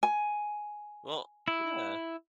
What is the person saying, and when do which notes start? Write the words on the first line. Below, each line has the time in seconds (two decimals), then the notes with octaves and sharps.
Well Yeah.
0.03 G#5
1.48 E4